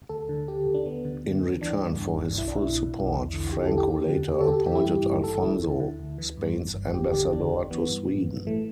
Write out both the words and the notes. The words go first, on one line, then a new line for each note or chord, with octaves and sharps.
In return for his full support, Franco later appointed Alfonso Spain's ambassador to Sweden.
D2 A4
D3
D3 G4
D2
D4
D2 B3
D3
D3
D2
E3 D4
G2
G1
G1
B1 E4
D4
B2 E4
B2
B1
E2
D3
D3 G4
A4
E2
G4
D2 G4
D3
D3 G4
A4
D2 G4
A4
E3 G4
E4
G2 G4
G1
G1 A4
D2 E4
D3
D3
D2
E3
G2
G1
G1
D2 G4
D3 G4
D3 D4
D2
E3 B3
G2
A1
A1
E3 A3